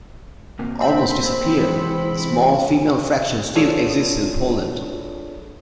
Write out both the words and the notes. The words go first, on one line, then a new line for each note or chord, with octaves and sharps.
Almost disappeared, a small female fraction still exists in Poland.
C3 A#3
C4 B5
C3 E3 G#3
D4 F4 G#4 A4 C#5 D5